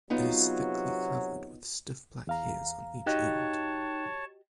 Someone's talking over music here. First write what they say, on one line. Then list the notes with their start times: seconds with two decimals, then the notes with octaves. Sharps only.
It is thickly covered with stiff black hairs on each end.
0.10 C3 F#3 B3 D#4 F4
2.27 E2 F5 A#5
3.06 D#4 F#4 G4 C#5 D#5 G5 A5 F#6